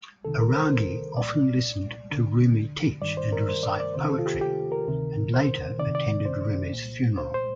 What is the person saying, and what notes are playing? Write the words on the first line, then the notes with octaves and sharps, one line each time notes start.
'Araghi often listened to Rumi teach and recite poetry, and later attended Rumi's funeral.
C2 C3 D#3 A4
A#4
C5
C2 A#2 D5
D#2 D3
G2 D#3 D5
C5
A#4
C5
D5
D5
D2 C3 D#3 C5
A4
F4
G4
G4
A#4
D2 C3 D#3
C5
C2 C3 D#3 D5
D5
C5
C2 A#2
C5
C5